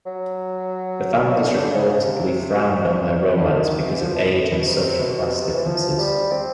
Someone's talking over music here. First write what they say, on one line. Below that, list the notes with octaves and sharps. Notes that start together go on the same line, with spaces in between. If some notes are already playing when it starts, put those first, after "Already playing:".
The families reportedly frowned on their romance because of age and social class differences.
F#3
D3
C#3
D3
C#3
C3
D3
D#3
E3
F3
B2
A2
B2
C3
B2
C3
E3
F3
G3
C4